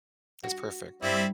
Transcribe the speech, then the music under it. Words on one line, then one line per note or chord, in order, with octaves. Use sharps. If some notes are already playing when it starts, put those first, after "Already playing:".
That's perfect.
F#4
G2 G3 C4 E4